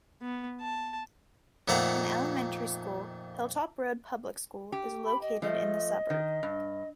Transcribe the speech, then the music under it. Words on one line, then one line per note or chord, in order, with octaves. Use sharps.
An elementary school, Hilltop Road Public School, is located in the suburb.
B3
A5
F2 A#2 D#3 A3 F#5 A#5
G4
B5
D#5
F3 A3 D#5
D#3
G2